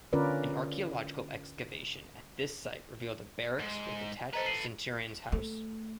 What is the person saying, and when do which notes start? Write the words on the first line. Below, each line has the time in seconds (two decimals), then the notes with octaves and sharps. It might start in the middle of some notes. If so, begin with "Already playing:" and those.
An archaeological excavation at this site revealed a barracks with attached centurion's house.
0.13 D3 C#4 F4 A#4 B4 D5
3.60 G#2
4.33 A4 B4 C5 D#5 A#5
4.46 C7 D#7 F#7
5.32 A3